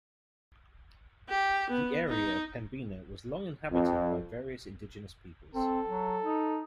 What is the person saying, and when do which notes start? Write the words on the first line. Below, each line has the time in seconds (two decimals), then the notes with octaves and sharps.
The area of Pembina was long inhabited by various indigenous peoples.
1.29 G4
1.70 B3
2.08 D#4
3.71 F2
5.55 C4 A4
5.88 F#3
6.22 D#4